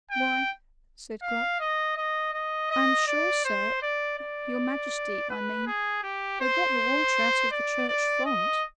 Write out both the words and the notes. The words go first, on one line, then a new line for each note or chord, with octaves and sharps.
"Why," said Gluck, "I am sure, sir,--your Majesty, I mean,--they got the water out of the church font."
G5
F5
D#5
D#5
D#5
D#5
D5
C5
D5
D5
B4
G#4
G4
C5
D5
D5
D#5